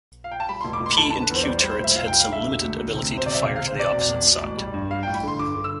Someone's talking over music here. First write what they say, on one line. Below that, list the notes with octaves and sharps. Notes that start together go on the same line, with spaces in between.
'P' and 'Q' turrets had some limited ability to fire to the opposite side.
F5
G5
A5
G3 B5
F1 C6
D6
F1
C6
B5
D3 A5
D3 A5
B4
E2 C5
D5
G3 C5
C5
G3
C5
F1 E5
F1 F5
G3 G5
F5
D3 E5
E1
D2
D2
C3
E1
C5
C3 D5
E5
C3 F5
C3 F5
C5
C3 D5
E1
E1
E1
A1
G3
G2
G3 F5
A1 G5
B5
D3 C6
G2 D6
D3
E6